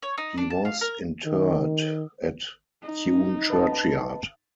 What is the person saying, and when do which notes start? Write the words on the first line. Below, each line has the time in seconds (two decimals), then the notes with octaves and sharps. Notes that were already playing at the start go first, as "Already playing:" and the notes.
He was interred at Tune churchyard.
0.03 C#5
0.18 D#4
0.38 D4
0.50 A5
0.65 F5
0.81 A#4
1.26 D#3
2.83 D#4
3.50 B4 D#5 A5